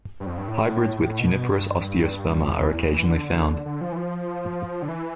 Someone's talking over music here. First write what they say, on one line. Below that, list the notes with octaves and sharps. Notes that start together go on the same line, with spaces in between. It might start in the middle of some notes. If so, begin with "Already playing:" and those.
Hybrids with "Juniperus osteosperma" are occasionally found.
G2
F2
G2
A2
B2
B2
G2
E2
E3
D3
D3
F3
E3
F3
D3
E3